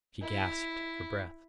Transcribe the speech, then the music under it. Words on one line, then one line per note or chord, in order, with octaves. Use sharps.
She gasped for breath.
E4